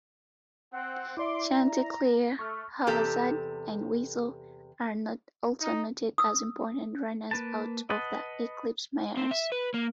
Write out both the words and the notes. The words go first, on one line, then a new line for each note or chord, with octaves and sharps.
Chanticleer, Haphazard, and Weasel are also noted as important runners out of Eclipse mares.
C4 F#5
E4 D5 E5 C6 D6
A#5
A3 C#6 F6
E2 C3 G4 A4 A#5
D#4
D#6 E6
A#3 B4 A5
B4 D#5 F#5 A5
C4
E5
B4
A#3